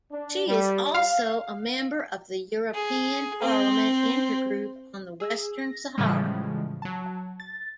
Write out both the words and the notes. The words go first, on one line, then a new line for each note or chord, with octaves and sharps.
She is also a member of the European Parliament Intergroup on the Western Sahara.
D4
G3
F5
G#4
C4 C5
G#4 E6
A#6
A2 C#3 E3 F3 G3 G#3
F#3 A5
A6